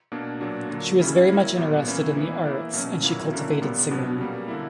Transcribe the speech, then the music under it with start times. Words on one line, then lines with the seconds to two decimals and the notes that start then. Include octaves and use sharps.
She was very much interested in the arts and she cultivated singing.
0.12 B2 A#3 D4
0.41 A#2 F#3 A#3 D4
0.70 D3 F#3 A#3
0.99 C#3 G3 C#4 E4
1.28 F#3 A#3 E4
1.57 A#2 G3 B3
1.86 E3 A#3 C#4 E4
2.16 E3 B3 E4
2.45 E3 A#3 E4
2.73 B2 F#3 C#4
3.03 A#2 F#3 A#3 E4
3.32 D3 A#3 C#4 E4
3.62 A#2 G3 B3
3.91 B2 F#3 B3 D4
4.20 C#3 G3 A#3
4.48 D3 A#3 E4